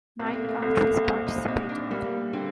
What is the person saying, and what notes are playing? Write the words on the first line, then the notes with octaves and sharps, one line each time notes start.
Nine countries participated.
C2 A#3
A3
A#3
A3
C2
A#3
A#2 C4
D#4
C2 D#4
D4
G3 A#3
D3 C4